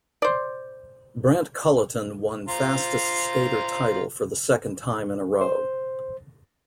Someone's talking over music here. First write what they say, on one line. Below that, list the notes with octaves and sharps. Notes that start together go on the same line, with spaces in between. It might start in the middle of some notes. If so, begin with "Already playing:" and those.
Brent Cullaton won Fastest Skater title for the second time in a row.
C5 D5
F4 C5 A#5
C5